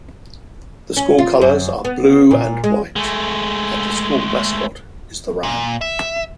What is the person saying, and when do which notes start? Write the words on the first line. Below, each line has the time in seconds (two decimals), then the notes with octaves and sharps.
The school colors are blue and white and the school mascot is the ram.
0.97 C#4
1.18 F4
1.41 F#2
1.85 B3
2.31 A#2
2.64 G#3
2.96 G#3 A3
5.43 A#2
5.81 E5